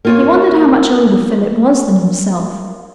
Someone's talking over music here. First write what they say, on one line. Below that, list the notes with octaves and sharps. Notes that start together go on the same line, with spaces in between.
He wondered how much older Philip was than himself.
A#3 F4 C#5